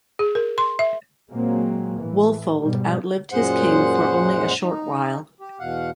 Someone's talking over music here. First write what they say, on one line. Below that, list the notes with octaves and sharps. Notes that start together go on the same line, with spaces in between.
Wulfoald outlived his king for only a short while.
G#4
A#4
C6
E5
A#2 F#3 G#3 A#3 C4
A2 E3
G#2 B2 G3
F#2 A#2 G#3 C5 F#5
D#4
G4
E2 B2 F5 F#5